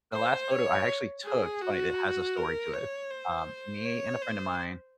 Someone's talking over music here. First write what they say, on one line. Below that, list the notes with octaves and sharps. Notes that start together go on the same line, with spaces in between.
the last photo I actually took, it's funny, it has a story to it, um, me and a friend of mine
C5
C#5
G#4
F#4
A#4
C#5
C5
C#5
C5